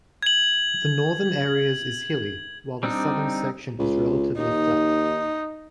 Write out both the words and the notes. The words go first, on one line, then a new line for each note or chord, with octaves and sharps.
The northern areas is hilly, while the southern section is relatively flat.
G#6 F#7
G3 C4 D4 D#4
C#2
D#2 D#4